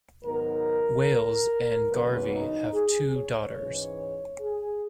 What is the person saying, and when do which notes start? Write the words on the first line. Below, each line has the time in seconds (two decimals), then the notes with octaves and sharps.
Wales and Garvey have two daughters.
0.23 G#2 D#3 F#3 B3 D#4 A#4
1.90 E2 C#3 F#3 A#3 C#4 B4
2.32 D#4
2.73 G#4
3.16 C#5
3.57 G#2 E3 G#3 C#4
4.40 G#4